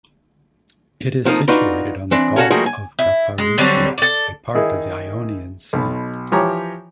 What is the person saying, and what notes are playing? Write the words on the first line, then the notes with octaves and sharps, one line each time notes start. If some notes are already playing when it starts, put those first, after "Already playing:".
It is situated on the Gulf of Kyparissia, a part of the Ionian Sea.
F2 F3 A#3 C#4 D#4
D4 D#4 F4 F#4 B4 D5
E3 C4 D4
C#4 F#4 G#4 A4 F5 G#5
F3 G3 A3 A#3 F#4 G#4
G#5
E4
G#3
D3 F#3 G3 C4
A4 D5
D#3 D#4 E4 G#4
B1 B2
E3 F3 G4 C#5 A#5 D6